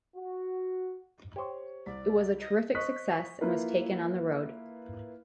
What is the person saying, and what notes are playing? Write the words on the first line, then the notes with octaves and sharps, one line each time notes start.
It was a terrific success and was taken on the road.
F#4
G4 C5 C#5 C#6
C2 D5 B6
D#5
C5 D#5 C#6 D#6 F#6 B6
A#3 E4 F4 B4